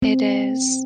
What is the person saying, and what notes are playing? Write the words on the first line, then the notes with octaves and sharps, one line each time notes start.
It is.
C4